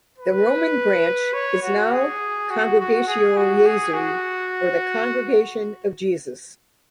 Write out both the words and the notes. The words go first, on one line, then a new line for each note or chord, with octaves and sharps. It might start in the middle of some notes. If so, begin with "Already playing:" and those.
The Roman Branch is now Congregatio Jesu or the Congregation of Jesus.
B4
C#5
F#4
G#4
F#4
F#4
G#4
F#4
G#4
F#4